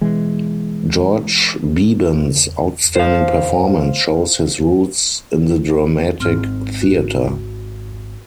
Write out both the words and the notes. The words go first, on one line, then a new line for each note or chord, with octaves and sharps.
George Beban's outstanding performance shows his roots in the dramatic theater.
B2 E3 G#3
C5 F5
G#1 C4 F6
F#4